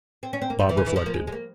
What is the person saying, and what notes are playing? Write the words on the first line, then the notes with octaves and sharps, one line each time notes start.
Bob reflected.
C4
C#4
C4
A#3
G3
E3
C#3
E3
F3
A#3
G#3
G#3
A#3